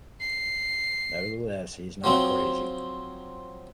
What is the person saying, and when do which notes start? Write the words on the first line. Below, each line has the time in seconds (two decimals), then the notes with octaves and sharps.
Nevertheless, he is not crazy.
0.20 C7
2.04 F3 F#3 C4